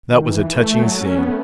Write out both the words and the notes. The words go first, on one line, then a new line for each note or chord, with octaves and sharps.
That was a touching scene.
D#3
E3
A3
F#3
C#4
B3
A3